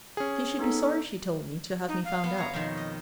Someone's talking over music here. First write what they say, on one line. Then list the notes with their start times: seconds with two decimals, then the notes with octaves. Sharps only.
She should be sorry, she told me, to have me found out.
0.17 C#4 G#4
0.59 B3 D#4 A4
1.88 D#4
2.05 F5
2.24 B3
2.38 C#5 A#5
2.53 F2 B2 D#3
2.77 D#5